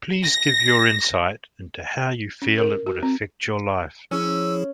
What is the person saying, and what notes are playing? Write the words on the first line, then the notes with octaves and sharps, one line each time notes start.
Please give your insight into how you feel it would affect your life.
A#6
C#4
A#4
F#4
C4
F3 C#4 E4 G#4 E6